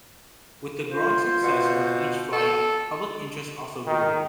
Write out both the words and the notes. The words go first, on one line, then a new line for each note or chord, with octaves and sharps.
With the growing success of each flight, public interest also grew.
F4 C5 F5
B2
A4
D#3